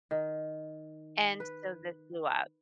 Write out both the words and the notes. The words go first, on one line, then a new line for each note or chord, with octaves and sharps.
And so this blew up.
D#3
B4